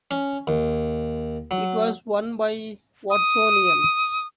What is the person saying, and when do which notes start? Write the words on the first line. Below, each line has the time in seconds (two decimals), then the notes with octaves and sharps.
It was won by Watsonians.
0.11 C#4
0.47 D#2
1.51 F#3
3.10 D#6